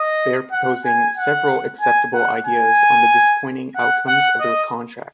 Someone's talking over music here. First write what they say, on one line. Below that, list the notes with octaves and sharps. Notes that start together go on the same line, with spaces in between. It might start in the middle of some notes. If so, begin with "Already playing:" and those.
They are proposing several acceptable ideas on the disappointing outcomes of the contract.
Already playing: D#5
F#5
G#5
F#5
G#5
F#5
G#5
F#5
F#5
D#5